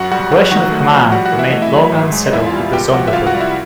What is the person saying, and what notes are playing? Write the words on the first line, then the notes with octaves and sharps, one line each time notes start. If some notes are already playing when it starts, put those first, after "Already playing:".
The question of command remained long unsettled with the Sonderbund.
Already playing: F#2 F#4 F#5
G3 F#4 F#5
F#3 F#4 F#5
D#3 F#4 F#5
A3
F3
G3 F#4 F#5
F#4 F#5
E3
E5
A3 D#5
E4 E5
F#3
G#2
G#3
D#5
E2 E4 E5
F4 F5
G3
C#2 G4 G5
F3 F#4 F#5
E5
C2 F4 F5
F#4 F#5
G3
E4 E5